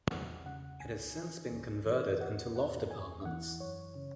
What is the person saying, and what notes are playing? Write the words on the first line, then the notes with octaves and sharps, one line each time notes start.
It has since been converted into loft apartments.
E2 F#5
C#3 F#5
C#2 G#5
E3
C#2
E3
E2 F#5
E2 F#5
E2 G#5
E3 F#5
F#2 C#5
C#3